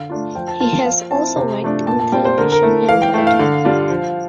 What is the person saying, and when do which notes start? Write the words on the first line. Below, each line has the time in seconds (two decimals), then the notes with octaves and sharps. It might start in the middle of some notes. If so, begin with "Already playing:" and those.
He has also worked in television and radio.
Already playing: D3 F5
0.10 A3 D4 F4
0.35 F3 G5
0.48 A5
0.60 A#3 F4 A5
0.73 A5
0.86 F3 F5
1.11 C4 E4 A5
1.36 C3
1.62 F3 A3 D4
1.87 A#2 A5
2.00 A5
2.12 G3 C4 F4 G5
2.25 C5
2.38 D3 A#4
2.52 A#4
2.63 A3 E4 A4
2.88 E3 F5
3.02 G5
3.14 A3 G5
3.18 E4
3.27 F5
3.39 D3
3.65 G3 D4 F4
3.90 F3